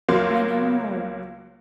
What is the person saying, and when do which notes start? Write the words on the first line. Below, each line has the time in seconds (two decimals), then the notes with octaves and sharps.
I know.
0.08 C#2 F#3 A#3 F5 C6